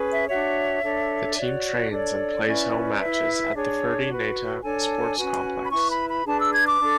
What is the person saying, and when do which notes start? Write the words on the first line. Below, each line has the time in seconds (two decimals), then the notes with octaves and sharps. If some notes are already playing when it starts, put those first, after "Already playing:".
The team trains and plays home matches at the Ferdi Neita Sports Complex.
Already playing: C#4 G#4 B4
0.10 E5
0.28 D4 F#4 C#5 E5
0.83 D4 A4 C#5
1.36 F#4 C#5 D5
1.90 D4 A4 C#5 D5
2.45 C#4 E4 B4
3.00 E4 B4 E5
3.55 D4 G#4 C#5
4.08 F#4 B4
4.63 D4 A4 C#5 G#5
5.17 C#4 F#4 B4
5.64 B5
5.71 E4 B4 C#6
5.90 B5
6.09 B5
6.26 D4 G#4 B4 A5
6.40 E6
6.54 G#6
6.67 D6
6.80 D4 A4